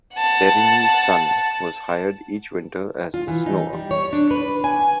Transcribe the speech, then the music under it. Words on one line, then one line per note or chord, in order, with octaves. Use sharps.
Perrine's son was hired each winter as the "snower".
F#5 A5
F4
E3
D#4
G3
C#5
D4
B4
G#5